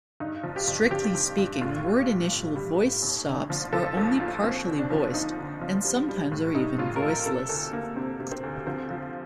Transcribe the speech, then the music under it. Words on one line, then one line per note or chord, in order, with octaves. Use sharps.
Strictly speaking, word-initial voiced stops are only partially voiced, and sometimes are even voiceless.
G2 D#4
F3
G4
G2
F3 G4
F3
G2
A2 F4
G3
G4
A2
A2
G3
A2
D#2
D3
F3
F3 A4
D#2 A4
D#2 F4
D#2 C4
D3
D4
F3
D#2 D#4
D3
F3
G3
G3
A2
G3 D#4
A2 F4
A#4
A2 A4
C3 A4
D2 A4
D2 A#3
C3 C4
C3
C4
D2
F3 C4
F3